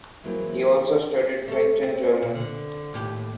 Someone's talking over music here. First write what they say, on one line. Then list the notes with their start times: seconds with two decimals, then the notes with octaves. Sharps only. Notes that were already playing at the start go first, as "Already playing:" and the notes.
He also studied French and German.
0.24 E3 F#3 G#3 A#3 C4 E4
1.48 A3 A4
1.83 C4
2.22 A#2
2.35 D3
2.93 D#2 A2 G4